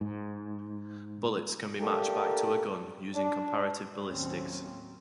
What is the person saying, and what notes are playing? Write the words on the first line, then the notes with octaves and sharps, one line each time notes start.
Bullets can be matched back to a gun using comparative ballistics.
G#2
A3 A#3 D4 G4 A4 A#4
D4
D#2 A2 F#3 A#3 C4 C#4